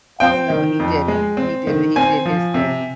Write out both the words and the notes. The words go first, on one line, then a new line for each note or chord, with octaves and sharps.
Oh, no, he didn't, he did it, he did his thing,
C4 G5
D#3
F2
G#3
C4
D#3
C4 G#5
F3
C3